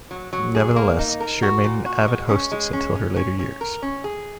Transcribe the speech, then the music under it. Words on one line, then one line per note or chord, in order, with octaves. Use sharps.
Nevertheless, she remained an avid hostess until her later years.
F#3
F#3
G#4
A#3
D#4
A#4
F#4
A#2
F#4
G#3
C#4
G#3
C#4
C#4
C#4
C#4
A#4
C#4
G#4